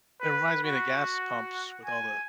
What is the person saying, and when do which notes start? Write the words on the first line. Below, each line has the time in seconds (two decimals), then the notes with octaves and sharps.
it reminds me of the gas pumps, with all the
0.21 B4
0.64 F#4
1.85 G#5